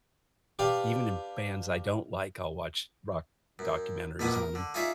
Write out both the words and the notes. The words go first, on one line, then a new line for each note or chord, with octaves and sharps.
even in bands I don't like, I'll watch rock documentaries on 'em.
D4 G4 B4 F5 G5
F#2
A#1 B2 D3 B3 D6 D#6
A#4
D3
D#4 F4 G#4 C#5 D5 E5